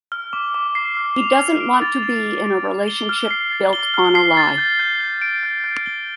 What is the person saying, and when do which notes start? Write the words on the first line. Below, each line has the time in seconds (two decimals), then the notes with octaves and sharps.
He doesn't want to be in a relationship built on a lie.
0.12 F6
0.33 D6
0.54 D6
0.75 C7
0.97 F6
1.18 F7
1.39 F6
1.60 D7
1.82 A6
2.03 F7
2.25 F6
2.46 D7
2.67 A6
2.88 G7
3.09 F6
3.31 C7
3.52 A6
3.73 G7
3.94 F6
4.15 C7
4.37 A6
4.58 G6
4.79 G6
5.01 G7
5.22 D7
5.43 G6
5.64 G6
5.86 G7